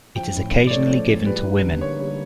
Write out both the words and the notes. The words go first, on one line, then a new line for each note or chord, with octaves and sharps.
It is occasionally given to women.
F3 G5
A2
A2
D5
A3 C#5
F3
A2
G3 B4
D#4
D3
A#3 C#5
G3